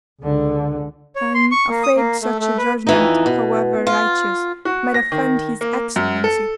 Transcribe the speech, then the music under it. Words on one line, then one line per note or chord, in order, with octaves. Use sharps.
'I am afraid such a judgment, however righteous, might offend his excellency.'
C#2 D3
C#5
C6
C#6
A#3
D#6
A#3
A3
A3
B4
F2 E3 D#4
B2
F4
F#4
A#6
D#3
A#3
F#2
A4